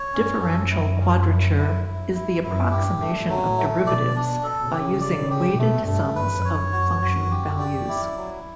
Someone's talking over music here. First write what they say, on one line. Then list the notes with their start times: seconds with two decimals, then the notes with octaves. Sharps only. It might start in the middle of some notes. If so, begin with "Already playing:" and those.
Differential quadrature is the approximation of derivatives by using weighted sums of function values.
Already playing: C#5
0.13 G2 C#4
0.42 F#2 A4
0.71 E4
1.00 C#4
1.29 E4
1.57 E4
1.85 E4
2.15 E4
2.43 F#2 E4
2.71 G2 G4
3.00 G2 A3
3.29 F#3
3.43 A2
3.58 A3
3.86 B2 D5
4.15 D4
4.43 A4
4.72 C#3 G4
5.01 D5
5.16 C#3
5.30 G4
5.59 B2 A3
5.87 G2 A3
6.16 G2 B4
6.44 F#2 C#5
6.72 F#4
7.02 F#4
7.31 G4
7.59 D5
7.88 E4
8.16 F#3